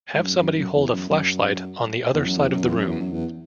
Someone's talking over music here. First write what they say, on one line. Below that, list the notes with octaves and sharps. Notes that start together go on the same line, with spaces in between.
Have somebody hold a flashlight on the other side of the room.
G#2
F#2
F#2
F#2
E2
F#2
F#2
E2
F#2
E2
F#2
E2
F#2
E2
F#2
E2